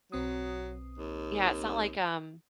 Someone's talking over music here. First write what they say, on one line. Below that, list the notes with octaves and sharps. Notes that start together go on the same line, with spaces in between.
Yeah, it's not like, um,
B1 F#3 C4 D#6
D#2